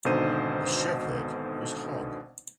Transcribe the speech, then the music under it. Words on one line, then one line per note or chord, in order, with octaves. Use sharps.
The Shepherd was Hogg.
G#1 B2 D3 D#4 C5 D#7